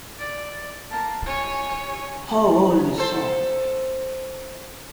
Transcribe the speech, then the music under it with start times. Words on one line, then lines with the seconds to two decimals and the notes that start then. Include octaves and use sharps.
How Old Is Song?
0.19 D5
0.91 A#3 A5
1.26 C#5 G#5
2.98 A4 C5